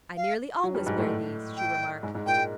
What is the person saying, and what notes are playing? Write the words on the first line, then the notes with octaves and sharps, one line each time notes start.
"I nearly always wear these," she remarked.
F5
F#3
G2 G3
G#2 G#3
A2 A3
G5
G#2 G#3
G#2 G#3
A#2 A#3 G5
G#3